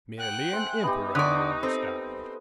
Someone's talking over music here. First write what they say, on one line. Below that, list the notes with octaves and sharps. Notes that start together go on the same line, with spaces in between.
"Merely an Emperor, you understand."
F#5 G5 F#6
C5 E5 G#5
B3 D#4 G4
D3 D5 C#6 D#6 F#6
C4 A4 C5